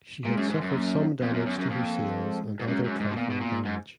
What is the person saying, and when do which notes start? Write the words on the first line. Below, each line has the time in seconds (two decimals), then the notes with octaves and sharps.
She had suffered some damage to her sails and other trifling damage.
0.25 A#2 G#3
0.37 F#2
0.50 G#2
0.61 F#2
0.73 A#3
1.22 F2 B3
1.34 F#2
1.46 F#2
1.59 F#2
1.71 F2 A#3
2.19 G#3
2.60 G#2
2.68 F#2 G#3
2.84 F#2
3.00 G#2
3.11 B2
3.16 A#2 B3
3.30 B2
3.41 A#2
3.65 G#2